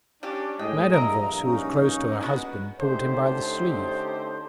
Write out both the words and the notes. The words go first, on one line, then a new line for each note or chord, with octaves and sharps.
Madame Voss, who was close to her husband, pulled him by the sleeve.
G3 C#4 D4 G4
A2 G#3 G#4 D#5 G5
A#1 G2 A#3 A#4 D5 E5 A#5
C#4 D#4
G#3 B3 F#4
D3 A3 C#4 D#4 G4 C5